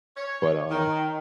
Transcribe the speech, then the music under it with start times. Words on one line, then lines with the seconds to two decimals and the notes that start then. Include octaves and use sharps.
but, um
0.17 C#5
0.70 D#3